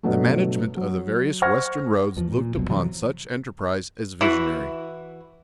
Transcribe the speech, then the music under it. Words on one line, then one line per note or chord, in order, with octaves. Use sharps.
The management of the various western roads looked upon such enterprise as visionary.
G2 B2 F#3 A3
F#3
C5 F#5 C#6 F6 G#6 A#6
E2 F3
A#2
G1 C2 B2 F#3
C3 E3 F#3
E3 E4 F#4